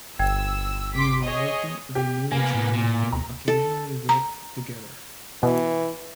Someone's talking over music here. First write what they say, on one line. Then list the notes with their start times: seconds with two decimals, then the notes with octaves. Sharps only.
In reality they knew each other and occasionally worked together.
0.19 G1 G5 E6 G#6
0.94 C6 D6 B6
1.25 G#4 C#5 D#5
1.95 G4
2.32 C3 A#3 B3 G#5
2.54 A2
2.75 A#2
3.13 D2 A#5
3.48 A4
4.09 A#5
5.43 B2 E3